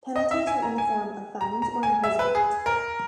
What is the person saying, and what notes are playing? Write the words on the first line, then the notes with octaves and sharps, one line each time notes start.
Penalties were in the form of fines or imprisonment.
D#5
E5
G#5
A#5
G#5
A#5
A#5
G#5
E5
B4
G#4
A#4